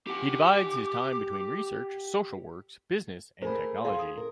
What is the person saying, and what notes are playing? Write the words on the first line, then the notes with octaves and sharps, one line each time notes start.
He divides his time between research, social works, business and technology.
G4 F#5 D6
A3 G#4 A#4 C5 B5
G#4 F5 C6
D#6
A#4